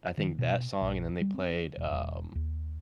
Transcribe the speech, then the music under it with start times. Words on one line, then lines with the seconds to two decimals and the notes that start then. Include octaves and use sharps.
I think that song, and then they played, um
0.18 D#3
0.39 B2
0.81 A#1
1.21 G3
1.34 C4
1.77 E1
1.91 E1
2.35 D#2